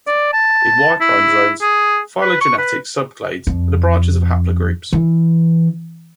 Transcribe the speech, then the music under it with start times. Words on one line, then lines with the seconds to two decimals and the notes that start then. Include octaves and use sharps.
In Y-chromosome phylogenetics, subclades are the branches of haplogroups.
0.08 D5
0.33 A5
1.01 E4
1.62 G#4
2.21 B4
2.41 C#6
2.58 B4
3.47 F2
4.93 E3